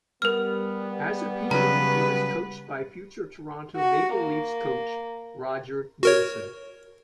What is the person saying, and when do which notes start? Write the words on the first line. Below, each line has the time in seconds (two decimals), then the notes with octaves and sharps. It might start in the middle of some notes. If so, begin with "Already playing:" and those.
As a PeeWee he was coached by future Toronto Maple Leafs coach Roger Neilson.
0.22 G3 B3 A#4 F6
1.51 C#3 F#3 B4 A#5
3.77 F#4
4.13 A#3
6.03 F#4 A#4 C#5